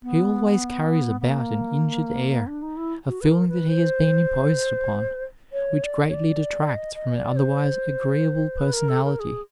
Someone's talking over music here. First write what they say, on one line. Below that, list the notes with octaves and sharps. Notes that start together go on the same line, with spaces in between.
He always carries about an injured air, a feeling that he has been imposed upon, which greatly detracts from an otherwise agreeable personality.
B3
B3
A#3
D4
D#4
E4
F#4
B4
A#4
B4
C5
C#5
D5
C#5
D5
D#5
D#5
D5
C5
B4
A#4
A4
A#4
G#4